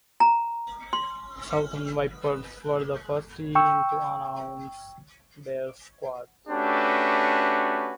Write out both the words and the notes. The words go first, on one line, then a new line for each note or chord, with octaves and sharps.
Southern Vipers were the first team to announce their squad.
A#5
C6
G5 C#6 E6
A3 C#4 D4 F#4 G4 B4